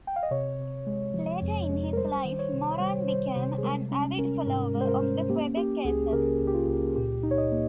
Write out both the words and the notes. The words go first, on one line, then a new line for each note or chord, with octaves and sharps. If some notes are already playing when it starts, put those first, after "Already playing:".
Later in his life, Moran became an avid follower of the Quebec Aces.
G5
F5
D#5
C3 C#5
C3
G#3
F3
F2
G#3
A#4
G3 C5
D#3
C#5
C3
C#5
G3 C5
G3 C5
C3 C5
G#4
G#3 A#4
C#4
C#4 A#4
G#2 A#4
G#3
C5
A#4
C#4
A#3 G4
A#3 G4
C#2 G#4
C#3 A#4
C#2
G4
F4
C#2
A#2 G4
D#4
C#5
D#5
A#3